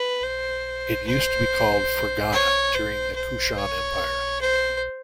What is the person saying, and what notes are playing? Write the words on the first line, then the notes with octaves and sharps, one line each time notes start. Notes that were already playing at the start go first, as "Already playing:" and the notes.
It used to be called ferghana, during the Kushan empire.
Already playing: B4
C5
C5
C#5
C5
C5
C#5
C5